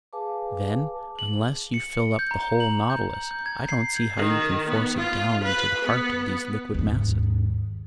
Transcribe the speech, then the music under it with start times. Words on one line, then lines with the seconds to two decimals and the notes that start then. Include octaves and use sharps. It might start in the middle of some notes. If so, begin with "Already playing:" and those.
"Then unless you fill up the whole Nautilus, I don't see how you can force it down into the heart of these liquid masses."
0.13 G#4 B4 F5 G#5 A5 D6
1.19 F#7
1.74 C#7
2.19 G6
2.31 A#5
2.60 F#7
2.90 G6
3.31 G6
3.46 G#6
3.69 C7
4.16 D#3
4.68 B3
4.97 F4
5.43 B4
5.84 B3
6.74 D#2 G#2